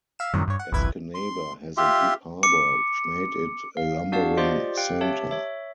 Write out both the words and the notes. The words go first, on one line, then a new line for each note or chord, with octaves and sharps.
Escanaba has a deep harbor, which made it a lumbering center.
E5 F5 E7
F#2 A2 C3 D#3 F#3 G3
G2 C#5
F#5
G1 C2 F2 E4 B4 G#6
C6
F4 G4 E5 C6
D6 C#7
F5
D4 F#4 D5 F5 F#5 A5
F4 G4 C5 D5 D#5 C6
G4 F5 G5 F#6
G4 C#5 E5 A5
C#5 E5